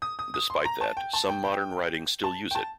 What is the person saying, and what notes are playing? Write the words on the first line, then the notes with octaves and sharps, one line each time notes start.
Despite that, some modern writings still use it.
D#6
D#6
D#6
C6
A#5
A5
G5
A5
G5
G5
A5
G5
A5